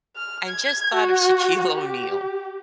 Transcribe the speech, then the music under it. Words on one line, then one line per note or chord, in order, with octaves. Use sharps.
I just thought of Shaquille O'Neal.
F6
G#6
F#4
G4